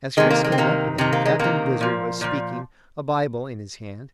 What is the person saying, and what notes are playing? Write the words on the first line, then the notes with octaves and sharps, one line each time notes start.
As Chris came up to them, Captain Blizzard was speaking, a Bible in his hand.
C3 D#3 G#3
A#3
G#3
C4
C3 D#3 A#3
C3 D#3 C4
A#3
G#3
C3 D#3 A#3
A#2 F3
A#2 F3